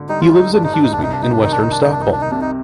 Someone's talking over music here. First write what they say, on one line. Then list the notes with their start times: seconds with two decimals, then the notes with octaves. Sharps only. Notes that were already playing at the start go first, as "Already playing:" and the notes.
He lives in Husby in western Stockholm.
Already playing: G#1 D3
0.09 G3 D#4
0.21 F4
0.33 D#4
0.53 G2 D4
0.63 D#4
0.73 D4
0.82 D#4
0.92 D4
0.98 C2 D#4
1.12 D4
1.22 D#4
1.32 D4
1.42 D#3 D#4
1.52 D4
1.62 D#4
1.71 D4
1.82 D#4
1.87 C2 D4
2.01 D#4
2.12 D4
2.21 D#4
2.30 C3 D4
2.41 D#4